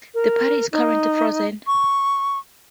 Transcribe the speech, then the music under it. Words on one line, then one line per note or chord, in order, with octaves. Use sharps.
The party is currently frozen.
A#4
D#4
C#6